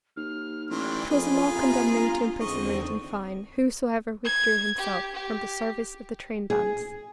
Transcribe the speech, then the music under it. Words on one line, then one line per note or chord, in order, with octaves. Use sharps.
It was a law condemning to imprisonment and fine whosoever withdrew himself from the service of the trainbands.
D#2 F6
A1 E3 F#3 D5 G5 C6
F2 F4 G#4 B4
C3 A#5
G1 A#5
E2 G#2 D3 C4 D#5 C#6
G#6
G4
G4
G#4